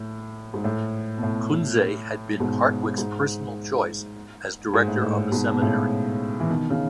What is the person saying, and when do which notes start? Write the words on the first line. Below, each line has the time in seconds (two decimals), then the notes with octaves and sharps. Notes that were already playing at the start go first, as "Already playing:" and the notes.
Kunze had been Hartwick's personal choice as director of the seminary.
Already playing: A2
0.54 G#2
0.64 A2
1.17 B2
1.23 A2
2.39 G#2 B2
2.98 G#2
4.74 G#2
4.88 A2
5.03 A2
5.17 A2
5.32 G#2 B2
5.51 B2
5.62 A2 C#3
6.40 E3
6.49 B2 D#3
6.70 C#3